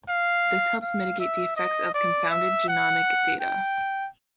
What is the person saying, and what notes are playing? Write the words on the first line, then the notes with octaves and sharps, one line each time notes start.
This helps mitigate the effects of confounded genomic data.
F5
F5
E5
D#5
D5
E5
F#5
G5